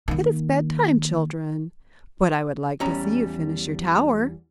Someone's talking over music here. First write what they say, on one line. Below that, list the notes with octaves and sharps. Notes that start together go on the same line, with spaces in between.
"It is bed-time, children, but I would like to see you finish your tower."
D#3 A#3
E2 G3 C#4 A#5